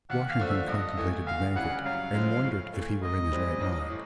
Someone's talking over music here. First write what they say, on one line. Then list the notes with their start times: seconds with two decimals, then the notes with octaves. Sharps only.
Washington contemplated the banquet, and wondered if he were in his right mind.
0.10 D#2 F#5
0.29 F5
0.39 D3 F3 A3 D4
0.48 E5
0.68 G2 D#5
0.97 E3 A3
1.26 D2 F5
1.56 C#3 E3 G3 F#5
1.85 F#2 F5
2.14 C#3 F3 G#3
2.44 A2
2.73 E3 A3
3.02 G#2 D#5
3.32 E3 G3 C4
3.61 A1
3.90 A2